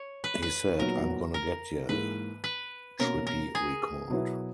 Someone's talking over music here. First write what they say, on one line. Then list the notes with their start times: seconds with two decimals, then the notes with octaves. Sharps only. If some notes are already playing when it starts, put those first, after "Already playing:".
"He said, 'I'm gonna get ya,'" Trippi recalled.
Already playing: C#5
0.24 B4
0.42 B4
0.79 A#2 F#3 B3 D#4 F#4 A#4
1.34 A#4
1.89 G#2 E3 A#3 B4
2.44 B4
2.99 B2 A#3 C#4 F#4 A#4
3.27 A#4
3.55 G#4
4.10 B2 F#3 B3 E4